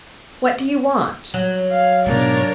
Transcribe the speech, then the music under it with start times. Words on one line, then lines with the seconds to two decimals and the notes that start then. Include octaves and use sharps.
"What do you want?"
1.34 F#3
1.71 F5
2.06 G#2 B2 D4 A#4 C#5 D5